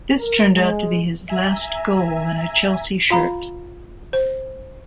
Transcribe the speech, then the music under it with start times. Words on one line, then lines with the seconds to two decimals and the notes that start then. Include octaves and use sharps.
This turned out to be his last goal in a Chelsea shirt.
0.19 A#4
0.54 G#3
1.28 E5 G#5 A#5
3.10 F4 F5 A#5 B5
4.13 C5